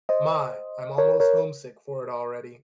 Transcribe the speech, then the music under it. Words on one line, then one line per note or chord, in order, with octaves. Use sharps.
My, I'm almost homesick for it already.
C5 D#5
A#4 C#5
A#4 C#5